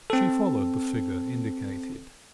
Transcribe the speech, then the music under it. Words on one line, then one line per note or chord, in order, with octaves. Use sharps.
She followed the figure indicated.
C4 A4